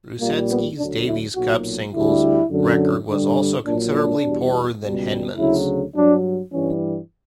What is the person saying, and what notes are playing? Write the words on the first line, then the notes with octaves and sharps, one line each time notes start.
Rusedski's Davis Cup singles record was also considerably poorer than Henman's.
A#1 A#2 G3 A#3
B3
D2 D3 F#3 D4
E4
B1 A#2 F#3 F#4
D2 D3 G3 E4
F#2 D3 F#3
G2 D3 G3
A#1 A#2 F#3 D4
D4
E2 B2 G3
C#2 B2 G3
D2 C#3 F#3 E4
G2 F#3 D4
G2 E3 G3 C#4